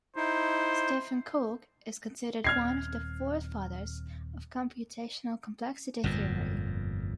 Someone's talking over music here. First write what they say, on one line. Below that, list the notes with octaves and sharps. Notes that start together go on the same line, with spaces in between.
Stephen Cook is considered one of the forefathers of computational complexity theory.
D#4 E4 C5
D#1 C4 F6 G#6 C7
G1 F2 A#2